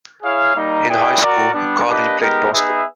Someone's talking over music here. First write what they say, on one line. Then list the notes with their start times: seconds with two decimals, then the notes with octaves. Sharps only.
In high school, Carlene played basketball.
0.22 E4 G#4 C#5 F5
0.54 G3 A#3 D#4
0.88 E4 G#4 B4 D5 G5
1.21 F#4 A#4 D5
1.53 G3 B3 D4
1.86 A#3 D4 G4 B4 D#5
2.18 G#3 B3 D#4 G4 A#4
2.51 B3 D#4 G#4 B4 E5